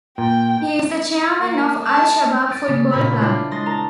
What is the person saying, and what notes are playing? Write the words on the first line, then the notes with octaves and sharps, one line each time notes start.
He is the chairman of Al-Shabab football club.
A#2 G5
A#3
A5
C#4 A6 D7
C#3
A#2 C#4 C#5 B5 F6
C4 D4 E4 F4
G#3 C6 A6 A#6
A#4 A5 A#5